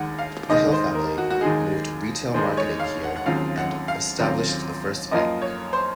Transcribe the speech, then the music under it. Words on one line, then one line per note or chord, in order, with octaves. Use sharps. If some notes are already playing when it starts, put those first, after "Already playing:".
The Hill family moved retail marketing here and established the first bank.
Already playing: D#2 D#3 G#3 F#5
F5
D#2 D#3 G#3 D#5
C5
A#4
F#4
F#4
D#2 D#3 G#3 D#4 G#4
D#2 D#3 G#3 D#4 C5
C#5
F5
F#5
F#5
D#2 C#3 F#3 C4 F4 F5
F#5
F5
D#2 C#3 F#3 C4 F4
F#2 F3 A#3 F4 D#5
C#5
C5